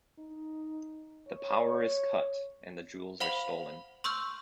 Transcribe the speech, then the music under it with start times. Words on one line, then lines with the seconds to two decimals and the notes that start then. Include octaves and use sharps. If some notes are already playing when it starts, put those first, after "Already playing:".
The power is cut, and the jewels are stolen.
0.19 D#4
1.29 C#5
3.20 C5 F5 F#5 B5 F7 F#7
4.04 C6 C#6 E6 F6 G6